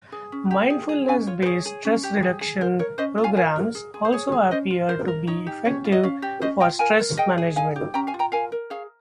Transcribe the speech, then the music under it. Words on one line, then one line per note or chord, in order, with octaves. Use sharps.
Mindfulness based stress reduction programs also appear to be effective for stress management.
G#4
C#4
G4
G#4
G#4
C#4 F5 G#5
F4 C#5
C5
G#4 C#5
G#4
C#4
G4
G#4
G#4
A#4 C5
A#4 C#5
C#4 C5 D#5
F4
F5 G#5
A#4 F5 G#5
A#4
G#4
G#4
C5
G#4 C#5
G#4
C#4 C5 D#5
F4
A#4 C5
A#4
D#4 C#5
G4
C#4 C#5
F4
D#5
C#4 C#5 F5
G4
C#4 C5 D#5
F4 D#5 G5
A#4 F5 G#5
A#4
G#4 D#5 G5
G#4
D#4 F5 G#5
G4
C#4 G5 A#5
F5 G#5
F4
G5 A#5
A#4 F5 G#5
A#4
G#4 C#5 F5